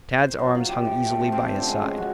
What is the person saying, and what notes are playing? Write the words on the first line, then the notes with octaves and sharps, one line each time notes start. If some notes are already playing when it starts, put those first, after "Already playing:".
Tad's arms hung easily by his side.
C5
F#3
F4
G4
E5
A3
F3
C4
D3
G#3
C#4
F#4